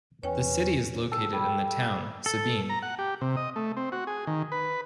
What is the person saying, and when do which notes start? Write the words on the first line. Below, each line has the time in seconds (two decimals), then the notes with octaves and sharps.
The city is located in the town, Sabin.
0.23 E2 C#4 B4 C#5 G5 G#5
1.12 A4
1.33 G3
2.26 A4
2.70 A#5
2.82 F#5
2.99 G4
3.21 C3
3.36 D#5
3.56 A3
3.77 C4
3.92 F#4
4.07 G#4
4.27 D#3
4.52 B4